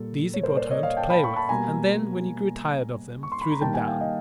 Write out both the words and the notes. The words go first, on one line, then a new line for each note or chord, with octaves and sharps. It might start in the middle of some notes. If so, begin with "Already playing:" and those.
These he brought home to play with, and then, when he grew tired of them, threw them down.
Already playing: A#2 G3 A#3 A4
C#5
A#4 C5
C5 D5
C#5 D#5
D#5 F5
G5 A5
A5 B5
B5 C#6
A5 B5
B2 G3 A#3 G#5 A#5
C#6
C6
B5
A#5
D#3 G3 A#3 G5 A5
F#5 G#5
F5 G5
D#5 F5